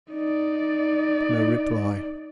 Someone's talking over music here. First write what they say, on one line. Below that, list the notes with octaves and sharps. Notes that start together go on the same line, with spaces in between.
No reply.
D#4 D5